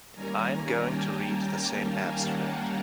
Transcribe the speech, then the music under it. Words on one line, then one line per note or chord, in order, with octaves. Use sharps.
I am going to read the same abstract.
D#3 G3 A#3 C#4 G#5 A#5
G#5 A#5
G5 A5
F5 G5
F#5 G#5